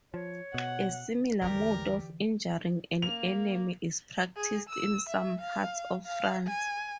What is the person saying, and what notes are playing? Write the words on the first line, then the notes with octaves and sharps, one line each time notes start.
A similar mode of injuring an enemy is practiced in some parts of France.
F3 C#5
B2 F#5
A1 E2 D3 E3 A3 G4 A#4 D5
A#3 F7
G#4
E6
E5
F5
F5
G#5